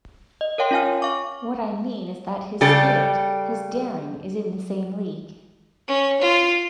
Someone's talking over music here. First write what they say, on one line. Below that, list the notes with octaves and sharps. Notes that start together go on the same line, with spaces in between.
What I mean is that his spirit, his daring, is in the same league.
D#5
A#4 C#5 F5 G5 C6
C#4 F4 F5 G#5 F6
F5 C#6 D6
C#3 G3 A4 D5
C#4
F4